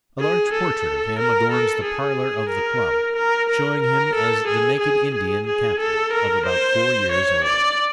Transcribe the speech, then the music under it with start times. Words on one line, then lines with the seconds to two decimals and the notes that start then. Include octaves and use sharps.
A large portrait of him adorns the parlor of the club, showing him as the naked Indian captive of about four years old.
0.20 G#4
0.53 A4
1.18 A#4
1.52 A4
1.84 G#4
2.50 A#4
3.16 A#4
3.49 A#4
3.82 A#4
4.15 A4
4.47 G#4
4.80 G#4
5.14 G#4
5.47 G#4
5.79 A4
6.13 A#4
6.46 C5
7.11 C#5
7.44 D5